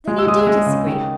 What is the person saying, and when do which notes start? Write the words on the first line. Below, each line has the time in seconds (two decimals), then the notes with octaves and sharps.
Then you do disagree.
0.08 G#3
0.18 E6
0.27 G#3 D#6
0.39 E6
0.47 G#3
0.66 C#3
0.86 D#3